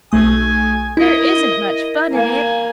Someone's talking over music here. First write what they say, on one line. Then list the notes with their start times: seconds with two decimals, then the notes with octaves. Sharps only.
There isn't much fun in it.
0.12 B1 A3 G#5 D#6
0.97 E4 A#4 D#5
2.13 A#3 G#5